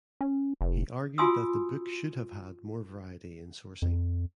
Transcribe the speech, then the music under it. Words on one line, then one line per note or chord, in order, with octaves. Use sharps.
He argued that the book should have had more variety in sourcing.
C#4
F1
F4 F#4 G#5 C6 D#6 E6
F2